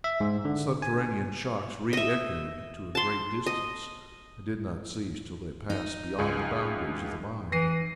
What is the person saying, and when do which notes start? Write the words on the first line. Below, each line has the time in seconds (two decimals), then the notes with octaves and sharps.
The subterranean shocks re-echoed to a great distance and did not cease till they passed beyond the boundaries of the mine.
0.04 E5
0.20 G#2
0.45 D3
0.82 G#5
1.93 D#5 E5
2.95 A5 C6
3.46 D#5
5.70 D#4
6.19 C#2 G#4
7.52 E3 A#6 C7 D#7